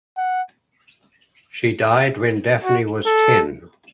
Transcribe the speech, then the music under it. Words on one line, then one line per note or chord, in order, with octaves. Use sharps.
She died when Daphne was ten.
F#5
F#4
A4